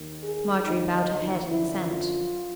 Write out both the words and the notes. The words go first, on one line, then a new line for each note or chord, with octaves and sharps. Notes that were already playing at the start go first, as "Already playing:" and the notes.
Marjorie bowed her head in assent.
Already playing: D#2 D#3
G#4
D#2 D3 F3 D#4
F#2 D3 F3 E4
F4